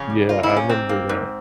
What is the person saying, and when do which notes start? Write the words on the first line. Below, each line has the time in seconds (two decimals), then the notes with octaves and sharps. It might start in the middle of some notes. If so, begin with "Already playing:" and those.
Yeah, I remember that.
Already playing: F2 C#3 C#4
0.10 G3
0.29 A#3 F4
0.43 E4
0.50 C3
0.57 C#4
0.69 G#2 C4
0.89 A#3
1.09 G#2